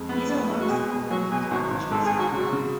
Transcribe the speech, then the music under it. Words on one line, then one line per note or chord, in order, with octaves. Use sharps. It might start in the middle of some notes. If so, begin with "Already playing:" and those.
These are larks of open country which nest on the ground.
Already playing: F2 G#3
B3
B3
G#3
F#4
B2 G#4
B2 G#4
F#3 F#4
B2 G#4
G#1 F#4
G#1
G#2 A4
G#4
G#2
F#4
C#3 F#4
C#3